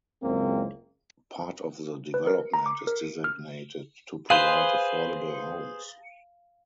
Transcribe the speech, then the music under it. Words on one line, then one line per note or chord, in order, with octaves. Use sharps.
Part of the development is designated to provide affordable homes.
F#1 C#2 G#3 A#3 C4
B4
A#4
A#5
D6
A#4
F6
G#4 B4 C5 F5